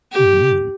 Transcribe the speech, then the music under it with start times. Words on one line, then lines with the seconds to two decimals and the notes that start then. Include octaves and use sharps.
Oh man.
0.12 G4